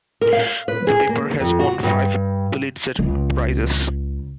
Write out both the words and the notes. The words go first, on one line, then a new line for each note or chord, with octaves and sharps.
The paper has won five Pulitzer Prizes.
A#4
F5
B4
G#4
A#3
F2
F#4
G2
C#2